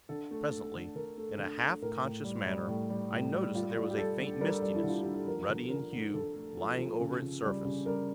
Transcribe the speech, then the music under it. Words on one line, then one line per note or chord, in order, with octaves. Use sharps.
Presently, in a half-conscious manner, I noticed that there was a faint mistiness, ruddy in hue, lying over its surface.
D3 A4
A3
A3
D3
D3 A#4
A3
D3 A4
A3
A2 A#4
A2
G3
G3
A2
G3
A2
G3
G3 F4
G3
F4
G4
G3 A4
D3
G3 A#4
G3
E4
D3 F4
D3 G4
A4
F3 A#4
D3
D3 A#4
D3
D3 A4
A3
F3
F3
C#3
C#3
G3
C#3
G3 A#4